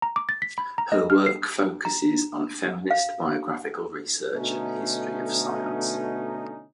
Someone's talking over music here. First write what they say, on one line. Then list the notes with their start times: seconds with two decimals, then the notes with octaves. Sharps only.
Her work focuses on feminist biographical research and history of science.
0.02 A#5
0.16 D6
0.29 A6
0.42 B6
0.58 B5
0.78 A#5
0.92 D#5
1.10 F6
1.26 C7
1.85 A#5
2.91 F5
4.33 B2 D3 A3 C#4 D#4